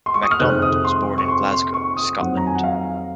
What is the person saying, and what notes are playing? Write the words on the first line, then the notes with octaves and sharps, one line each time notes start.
Macdonald was born in Glasgow, Scotland.
C6
C#6
D#6
F6
F2 C3 D#3 G#3 C4 F#6
D#6
C6
C#6
C6
C6
C#6
D#6
F2 D#3 F#3 C4 F#5
A#5
G#5
F#5
F5